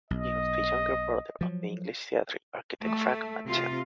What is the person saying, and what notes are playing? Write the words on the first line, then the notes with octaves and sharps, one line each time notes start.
He was the younger brother of the English theatre architect Frank Matcham.
B1 D#5
F3 F#3
A3
C3 F4